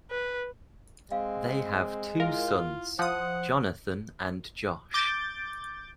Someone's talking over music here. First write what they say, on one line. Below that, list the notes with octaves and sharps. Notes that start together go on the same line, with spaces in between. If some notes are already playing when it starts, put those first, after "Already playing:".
They have two sons, Jonathan and Josh.
B4
G#3 C4 F5
E4 F4 A#4 F5
F3 C5 F#5 D#6
D6 G6 A6